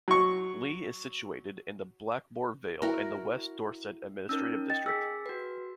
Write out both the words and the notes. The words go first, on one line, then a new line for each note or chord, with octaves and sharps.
Leigh is situated in the Blackmore Vale in the West Dorset administrative district.
F#3 C#6
E4 F#4 A#4
C#4 D#4 A#4 E6
D#5 G5 A6
G#4 E6 B6
F#4 B4